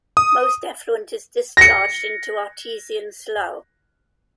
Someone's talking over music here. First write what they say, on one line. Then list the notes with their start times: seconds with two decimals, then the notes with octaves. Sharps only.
Most effluent is discharged into Artesian Slough.
0.17 D#6
1.57 A#6 C#7